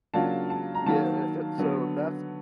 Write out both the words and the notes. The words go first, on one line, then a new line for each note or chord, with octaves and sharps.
yeah, so that's
C#3 F#3 A#3 D4 F4 A5
A5
A#5
D#3 F#3 A#3 A5
D3 F#3 B3